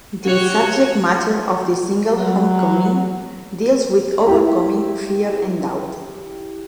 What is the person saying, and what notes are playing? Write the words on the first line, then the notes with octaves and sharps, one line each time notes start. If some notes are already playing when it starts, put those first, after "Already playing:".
The subject matter of the single "Homecoming" deals with overcoming fear and doubt.
F#4 G4 C#5
F#3
E4 G4